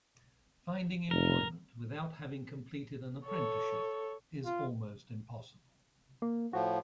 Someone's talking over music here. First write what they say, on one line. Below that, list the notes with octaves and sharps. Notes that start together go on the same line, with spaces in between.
Finding employment without having completed an apprenticeship is almost impossible.
F1 A#4
A4 C#5
F4
A#3
A2 F3 F#4